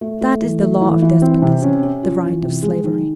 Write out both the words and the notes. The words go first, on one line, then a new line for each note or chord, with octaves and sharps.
That is the law of despotism; the right of slavery.
A3
A3
E3
A3
E3
E3
C4
C3
C#4
C#4
F4
E3
C3
G#3
D#3